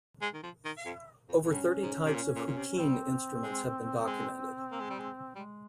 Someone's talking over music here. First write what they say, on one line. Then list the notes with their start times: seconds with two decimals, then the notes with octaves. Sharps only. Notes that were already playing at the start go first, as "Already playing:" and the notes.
Over thirty types of "huqin" instruments have been documented.
0.22 G#3
0.34 D#3
0.43 F3
0.65 D#3
0.86 F2
1.29 F2
1.43 F2
1.50 G2 C#4
1.82 G#2
2.06 C3
2.14 A#2
2.35 A#2
2.47 A#2
2.57 C3
2.79 G3 C4
3.43 G#3
4.07 G#3
4.72 A#3
4.80 G#3
4.90 G3
4.99 G#3
5.35 G3 G#3